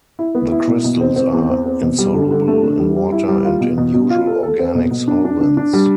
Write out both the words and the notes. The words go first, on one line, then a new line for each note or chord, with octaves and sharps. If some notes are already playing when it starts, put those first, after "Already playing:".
The crystals are insoluble in water and in usual organic solvents.
E4
B3
E4
B2
B2
C4
C4
E2
C4
C4
B2
G3
D3
D3
A3
D4
G3
G3
E4
G3
F4
B2
B2
B2
F4
A4
A4
C4
B2
B2
D4
D4
D4
D4
G3